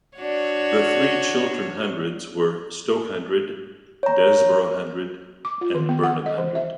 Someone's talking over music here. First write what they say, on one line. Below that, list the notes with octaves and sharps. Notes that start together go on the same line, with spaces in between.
The three Chiltern Hundreds were Stoke Hundred, Desborough Hundred, and Burnham Hundred.
D4 F#4 C#5
C#5 A#5
D6
F4
D#3
B3
F#5
D#5
E3
E5